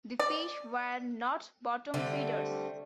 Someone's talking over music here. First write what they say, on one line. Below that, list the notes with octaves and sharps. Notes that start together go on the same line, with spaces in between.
The fish were not bottom feeders.
D5
D3 G3 A3 C4